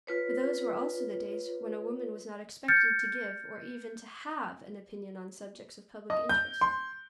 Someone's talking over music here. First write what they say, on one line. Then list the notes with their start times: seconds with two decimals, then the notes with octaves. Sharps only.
But those were also the days when a woman was not expected to give, or even to have, an opinion on subjects of public interest.
0.07 F4 B4 C#5
2.68 F6 G6 A6 C#7
6.10 D#5
6.29 G6
6.61 C6